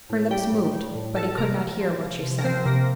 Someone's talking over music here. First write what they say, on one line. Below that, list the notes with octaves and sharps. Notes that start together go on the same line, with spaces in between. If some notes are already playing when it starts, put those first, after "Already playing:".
Her lips moved, but he could not hear what she said.
A2
G3 G4 G5
A2
G3
A2
F3 A4 A5
C3 A#4 A#5
F3
C3
F3
C3
A#4
F3 C4 C5
C3 A#3 A#4